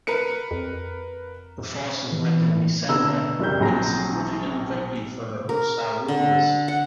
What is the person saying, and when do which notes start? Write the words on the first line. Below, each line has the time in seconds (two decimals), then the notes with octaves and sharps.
The forces met in December in a significant victory for the Hausa rulers.
0.07 A#4 B4 C#7
0.51 F2
2.12 E3
2.89 B2 D3 A#5 E6
3.39 F#1 F#3 G3 G6
3.60 A#1 F#3 G#4 A#5 A#6
5.49 A#4
6.08 D3
6.68 F#5